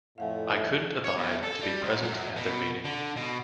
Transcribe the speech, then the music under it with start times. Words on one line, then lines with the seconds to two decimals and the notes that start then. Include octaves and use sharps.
I couldn’t abide to be present at their meeting.
0.18 F2 A2 A3 F5 F#5 G#5
1.04 C#5
1.17 E2
1.43 A4
1.61 G3
1.84 G#2
2.02 F#2
2.36 B2
2.84 D3
3.16 B2